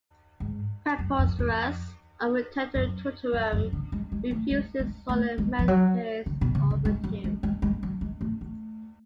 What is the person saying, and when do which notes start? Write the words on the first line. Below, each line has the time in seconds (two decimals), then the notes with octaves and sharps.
Preposterus, on return to Totorum, refuses all the menhirs offered him.
0.40 G#2
0.99 F#2
1.18 F2
1.39 F2
2.75 F#2
3.33 F#2
3.53 F#2
3.73 D3
3.92 G#3
4.12 G#3
4.31 A3
4.50 G#3
4.79 G#3
5.09 A3
5.38 G#3
5.59 F3
5.68 F#3
6.26 D3
6.41 B2
6.55 C#3
6.70 D3
6.85 G#3
7.04 F#3
7.24 G#3
7.43 G#3
7.62 G#3
7.83 F#3
8.01 G#3
8.21 A3
8.41 A3